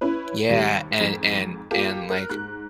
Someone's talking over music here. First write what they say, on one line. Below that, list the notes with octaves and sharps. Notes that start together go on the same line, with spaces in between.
Yeah, and and and, like,
C#4 E4 B4
D#2 C3 G3
F2 G#2
A#3 F4 G4 A4
A#4 F6 F#6
G#2 F#6